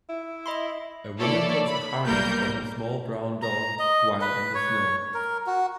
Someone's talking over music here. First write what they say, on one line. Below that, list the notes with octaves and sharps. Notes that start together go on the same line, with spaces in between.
A woman puts a harness on her small brown dog while in the snow.
E4
D#5 B5 C6
A#3 E4 A4 C#5 D5
B5
B1 G3 A#3 A#4 G6
A#5
D#5
B4
C#5
A#4
F#4